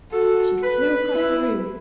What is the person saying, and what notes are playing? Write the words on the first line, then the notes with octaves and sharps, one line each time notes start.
She flew across the room.
F#4 A4
B4
E4